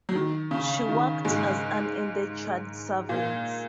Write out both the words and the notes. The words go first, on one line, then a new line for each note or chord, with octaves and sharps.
She worked as an indentured servant.
F#3
D#3
C#3
D#3
G#2 G#3
A#2 A#3